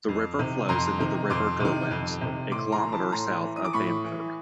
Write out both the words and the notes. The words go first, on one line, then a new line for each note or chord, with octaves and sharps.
The river flows into the River Derwent a kilometre south of Bamford.
F2
C3 D#3
F2 A#5 C6
C3 D#3
F2 C6 D6
C3 D#3
F2
C3 D#3
A2 C6 D6
A#5 C6
E3
C6
A5 B5
A2 A#5 C6
E3
D#6
D6
A2 B5 C#6
E3